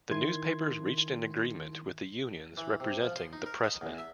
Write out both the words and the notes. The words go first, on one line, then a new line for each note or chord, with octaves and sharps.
The newspapers reached an agreement with the unions representing the pressmen.
D#3 E4 C6 G#6
E3
C3
F3
C6
D#4
A#4
D#5
E2
E5